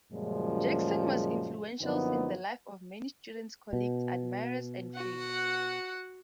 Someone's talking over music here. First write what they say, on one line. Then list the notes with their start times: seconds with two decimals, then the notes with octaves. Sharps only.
Jackson was influential in the lives of many students, colleagues, admirers, and friends.
0.13 F#2 A#2 C#3 F3 G3 G#3
1.81 F#2 D3 F3 A#3 B3 D#4
3.73 B2
4.95 F#4 F#5